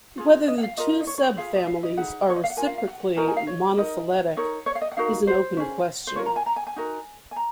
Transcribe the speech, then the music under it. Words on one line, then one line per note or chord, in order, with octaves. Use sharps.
Whether the two subfamilies are reciprocally monophyletic is an open question.
F4 G#4
D#5
F#5
F5
F4 A#4 D#5
D#5
C#5
C#5
F4 G#4 F5
D#5
F5
D#5
D#4 G#4 F#5
C#5
D#5
F5
F#5
F4 A#4 G#5
F5
F5
F#5
D#4 F#4 A#4 G#5
G#5
F5
C#5
D#4 A#4 D#5
D#4 A#4 C#5
C#5
F5
D#5
F#5
D#4 F#4 A#4 F5
C5
C#4 G#4
C5
F4 A#4 C#5
A#5
G#5
A#5
G#5
G#5
D#4 F#4 A#4
G#5
A#5